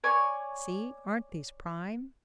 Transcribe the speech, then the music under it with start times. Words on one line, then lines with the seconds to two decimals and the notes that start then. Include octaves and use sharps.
"See--aren't these prime!"
0.04 C#5 D5 G#5 C#6